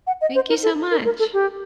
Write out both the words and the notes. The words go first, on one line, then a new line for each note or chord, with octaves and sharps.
Thank you so much.
F#5
D#5
C5
A#4
A4
A#4
A#4
A4
G4